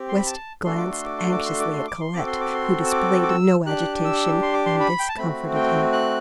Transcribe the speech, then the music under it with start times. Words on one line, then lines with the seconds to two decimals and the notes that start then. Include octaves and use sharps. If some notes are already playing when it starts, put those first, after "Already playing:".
West glanced anxiously at Colette, who displayed no agitation, and this comforted him.
Already playing: C4 G4
0.09 C6
0.18 B5
0.26 A5
0.65 A3 D4 F#4 A4 C6
0.77 D6
0.92 C6
1.05 D6
1.18 C6
1.32 D6
1.46 C6
1.60 D6
1.73 C6
1.87 D6
2.00 C6
2.13 C4 F#4 A4 D6
2.27 C6
2.40 D6
2.54 C6
2.86 E6
2.91 D6
3.23 D6
3.29 E6
3.66 D4 G4 F#6
4.05 E6
4.42 C6
4.53 D6
4.66 C6
4.80 B5
4.99 G5
5.09 A5
5.17 A3 C4 F#4 B5
5.55 G5
5.93 F#6